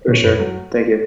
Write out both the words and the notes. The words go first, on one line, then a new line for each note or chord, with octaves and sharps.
For sure. Thank you.
A#2 C#4
F#2 B4
F#3